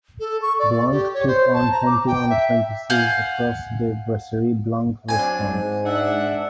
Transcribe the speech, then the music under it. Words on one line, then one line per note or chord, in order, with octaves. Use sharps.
Blanc took on twenty-one apprentices across the Brasserie Blanc Restaurants.
A4
C#6
D5
G4
C#5
C5
A5
A#5
D6
G5
E5
F5 F#5 G#5 G6
F#3 C4 D4 G#5
G#2
D4 E5 F#5